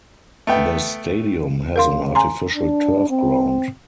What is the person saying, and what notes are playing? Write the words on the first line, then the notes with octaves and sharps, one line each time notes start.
The stadium has an artificial turf ground.
A3 B3 G5
C#3 A#4 F5 C6
G#5 A#5 C6
D4
C4